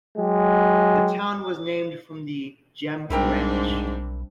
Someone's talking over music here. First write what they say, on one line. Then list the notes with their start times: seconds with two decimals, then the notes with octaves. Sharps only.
The town was named from the Gem Ranch.
0.17 F#3 G#3 G4
3.10 B1 G#2 G3 C4 D4 E4 A#4 G5